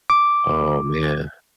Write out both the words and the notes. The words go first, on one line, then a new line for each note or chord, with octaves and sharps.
Oh, man.
D6